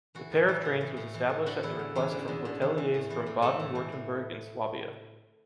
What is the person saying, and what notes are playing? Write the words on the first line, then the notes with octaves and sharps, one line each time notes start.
The pair of trains was established at the request from hoteliers from Baden-Württemberg and Swabia.
E3 F#4
A2
E3
A2
E3
A2
E3
A2
D3 F#4
E2 E4
D3
E2 C#4
D3
E2
D3
E2
E3
A2
E3
A2
E3 A3
A2
E3
A2